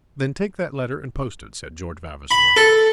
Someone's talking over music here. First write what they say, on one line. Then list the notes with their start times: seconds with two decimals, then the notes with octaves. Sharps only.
"Then take that letter and post it," said George Vavasor.
2.31 B5
2.56 A4